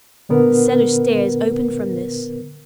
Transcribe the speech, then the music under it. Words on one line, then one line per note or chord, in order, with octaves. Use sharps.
The cellar stairs opened from this.
A#2 D3 B3 A#4 B4